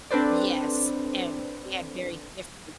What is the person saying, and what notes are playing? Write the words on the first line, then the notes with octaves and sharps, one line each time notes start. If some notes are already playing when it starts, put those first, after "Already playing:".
yes, and we had very different
C4 D4 A4 B4 C5 D5